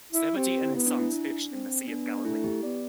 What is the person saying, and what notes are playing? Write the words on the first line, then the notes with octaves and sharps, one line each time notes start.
Zebedee and his sons fished in the Sea of Galilee.
E4
C4 G4
E4
B3
D4
E4
D4
C4
B3 D4
D4
A3 E4
G4
B3 D5